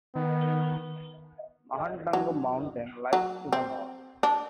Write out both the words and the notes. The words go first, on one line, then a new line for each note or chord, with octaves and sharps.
Mahantango Mountain lies to the north.
D#3 B3
F#3
F#3
C4
D4